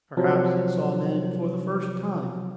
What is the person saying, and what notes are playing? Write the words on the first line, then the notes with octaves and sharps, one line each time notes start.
Perhaps it saw men for the first time.
C3 F3 F#3